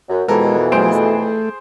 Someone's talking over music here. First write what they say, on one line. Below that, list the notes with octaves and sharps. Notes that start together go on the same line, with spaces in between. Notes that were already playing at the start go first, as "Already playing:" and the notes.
I was
F#2
F2 B2 E3 G#3 A4 A#4
A3 G#4 C5 D7